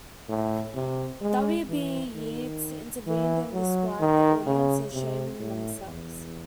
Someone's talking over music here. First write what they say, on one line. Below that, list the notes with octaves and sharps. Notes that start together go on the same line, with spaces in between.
W. B. Yeats intervened and described the audience as "shaming themselves".
A2
C3
G#3
E3
D#3
E3
F#3
D#3
C#3
C3
A2
E2